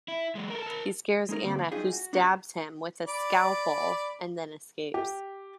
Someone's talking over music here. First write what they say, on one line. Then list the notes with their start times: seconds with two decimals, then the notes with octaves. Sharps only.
He scares Anna who stabs him with a scalpel, and then escapes.
0.08 E4
0.35 F#3 G#3
0.50 A4 A#4
0.63 A#4 A5
1.29 G#3 D#4 A#4
1.44 D2 G2 D3 A#3 C4
1.59 F5
1.72 F#3 G3 D#4 F4 G4 G#4
1.93 F#4
2.13 D4 F#4 G4 E5 A#5
3.08 D5 B5 D6
4.94 G4